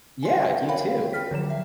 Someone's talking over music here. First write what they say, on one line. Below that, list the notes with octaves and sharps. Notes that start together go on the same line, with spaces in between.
Yeah, you, too.
G#5 C6
A#4 C#5 F5 G5 B5
F4 G5 F6 B6
D3 F3 F#3 E7
E5